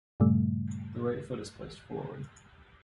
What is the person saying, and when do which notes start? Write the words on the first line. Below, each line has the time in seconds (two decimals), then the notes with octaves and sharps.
The right foot is placed forward.
0.20 G2 A#2 C#3 G3 A3